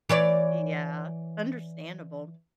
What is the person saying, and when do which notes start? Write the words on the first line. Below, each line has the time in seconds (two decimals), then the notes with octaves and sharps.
Yeah, understandable.
0.09 E3 C#5 D5